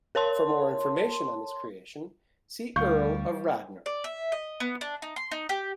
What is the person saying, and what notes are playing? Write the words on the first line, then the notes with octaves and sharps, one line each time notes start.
For more information on this creation, see Earl of Radnor.
A#4 C#5 A5 C6
D2 G3 F5 C#6 G6
D5
E5
D#5
B3
D4
D#4
C6
D#4
G4